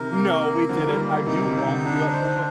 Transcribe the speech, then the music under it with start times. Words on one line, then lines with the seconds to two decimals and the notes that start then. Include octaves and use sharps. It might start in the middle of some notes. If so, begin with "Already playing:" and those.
n n no, we didn't, I do want to at some point.
Already playing: C3 D#3 A#4
0.11 A#3
0.40 A#4
0.69 D3 F3 A#3
0.88 D#3 G3
0.98 A#3
1.26 C3 D#3 D#4
1.46 C3
1.55 D#4
1.65 D3
1.85 D3 D4
2.13 C5